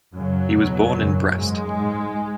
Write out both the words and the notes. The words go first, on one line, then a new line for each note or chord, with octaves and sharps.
He was born in Brest.
F#2 C#3 F#3
E2 B2
F#2 C#3
G#2 G#3
G#2